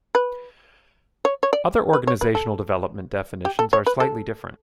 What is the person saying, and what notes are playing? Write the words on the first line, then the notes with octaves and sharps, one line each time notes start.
Other organizational development definitions are slightly different.
B4
C#5
C#5
D5
B4
C#5
B4
A4
G4
A4
C#5
B4
A4